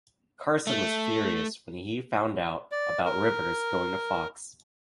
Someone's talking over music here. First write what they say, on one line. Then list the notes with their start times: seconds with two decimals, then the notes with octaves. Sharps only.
Carson was furious when he found out about Rivers going to Fox.
0.67 A3
2.72 D5
3.05 A#4